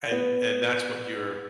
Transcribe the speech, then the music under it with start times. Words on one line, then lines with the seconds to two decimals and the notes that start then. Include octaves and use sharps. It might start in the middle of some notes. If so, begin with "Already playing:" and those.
and and that's what your
0.11 B3